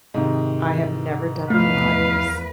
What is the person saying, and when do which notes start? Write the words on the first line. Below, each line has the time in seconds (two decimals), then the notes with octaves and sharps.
I have never done Pilates.
0.14 G#2 C3 D#3
1.50 E2 F3 A3 B4 F5